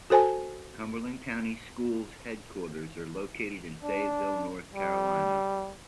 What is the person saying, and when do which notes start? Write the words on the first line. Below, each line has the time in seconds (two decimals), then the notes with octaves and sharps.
Cumberland County Schools' headquarters are located in Fayetteville, North Carolina.
0.10 F#4 A4 C5 G#5 A5
3.83 D4
4.74 G3